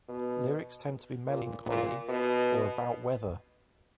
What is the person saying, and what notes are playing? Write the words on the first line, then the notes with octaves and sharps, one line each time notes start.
Lyrics tend to be melancholy or about weather.
B2
A#2
A#2
B2